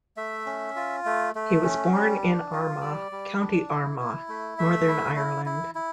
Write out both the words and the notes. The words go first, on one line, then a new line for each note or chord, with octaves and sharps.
He was born in Armagh, County Armagh, Northern Ireland.
A3 E5
C#4
F4
A3
A3
C#4
G3
D4
F4
G3 D5
G3
D4
E4
E4
A3
A3 E5
E4
E4
E4
E4